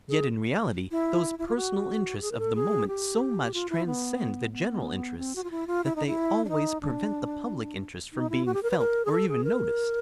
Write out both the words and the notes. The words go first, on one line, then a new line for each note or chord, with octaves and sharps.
Yet in reality those personal interests of the moment so much transcend the general interests that they always prevent the public interest from being felt or even noticed.
G#4
E4
E4
F4
F#4
G4
G#4
A#4
A4
G#4
G4
F4
E4
B3
B3
C4
F#4
F4
E4
F4
E4
D#4
E4
D4
D#4
D4
D#4
E4
F#4
G4
A#4
B4
A#4
G#4
A4
G#4
A#4